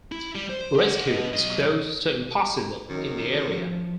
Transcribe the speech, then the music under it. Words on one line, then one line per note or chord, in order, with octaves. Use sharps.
Rescue is close to impossible in the area.
E4
G3
C5
G4 F#5
B3 D#5
B1 D#5
F#2 D#3
F3